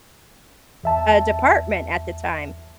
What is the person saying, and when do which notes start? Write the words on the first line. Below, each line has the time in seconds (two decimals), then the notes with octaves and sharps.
uh, department at the time.
0.84 E2 E5 A5